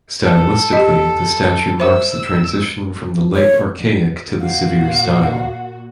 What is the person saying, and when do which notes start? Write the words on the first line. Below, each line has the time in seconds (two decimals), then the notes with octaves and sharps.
Stylistically the statue marks the transition from the late archaic to the Severe Style.
0.23 A4
0.73 G4 D#5
1.80 C5 E5 E6
3.35 C#5
4.40 A#2 F#4 F5